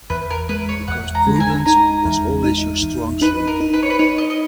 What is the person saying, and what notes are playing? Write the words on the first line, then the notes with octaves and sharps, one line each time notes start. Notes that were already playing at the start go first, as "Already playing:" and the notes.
Because prudence was always your strong suit.
E2 B4
A#4
G#3 B4
C#5
E2 F#5
A#5
G#3
A#5
G#5
D#4 A#5
E2
D#4
E2
D#4 B4
A#4
D#4
B4
C#5
B4
D#4 C#5
D#5
D#5